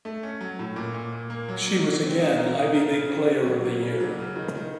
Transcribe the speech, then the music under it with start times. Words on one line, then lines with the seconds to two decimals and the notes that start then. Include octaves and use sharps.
She was again Ivy League Player of the Year.
0.05 A3
0.23 C#4
0.41 F#3
0.59 A2
0.76 A#2
0.94 A#2
1.12 A#2
1.30 A#3
1.49 F#3
1.67 F#3
1.84 F#3
2.03 C4
2.20 D#4
2.38 A#4
2.57 D#4
2.75 A#4
2.92 C#3
3.10 C4
3.28 C4
3.46 F#3
3.64 A#3
3.83 C#3
4.00 F#3
4.19 C#3
4.36 D#3
4.55 D#3